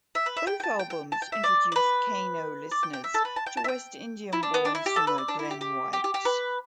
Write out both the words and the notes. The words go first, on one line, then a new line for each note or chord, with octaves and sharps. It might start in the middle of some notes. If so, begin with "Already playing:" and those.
Both albums introduced Kano listeners to West Indian-born singer Glen White.
E5
B4
E5
G5
G5
A5
G5
G5
A5
G5
E5
D5
D5
B4
D5
G5
G5
E5
A4
B4
A5
G5
A5
E5
G5
E4
D4
B3
D4
E4
G4
A4
B4
D5
D4
E4
G4
G4
G4
G4
G4
B4